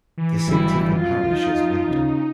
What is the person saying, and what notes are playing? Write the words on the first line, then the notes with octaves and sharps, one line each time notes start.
The seat of the parish is Minden.
E3
G#1 D3 F#3 G3 E4
F#2 F4
F3 D#4
C#3